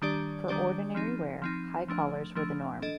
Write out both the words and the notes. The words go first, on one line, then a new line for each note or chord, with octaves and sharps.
For ordinary wear, high collars were the norm.
D#3 G3 D4 G4 D5
D#3 G3 D4 G4 D5
F3 C4 D#4
F3 C4 D#4
F3 A3 D4
F3 A3 D4
D4 A4 D#5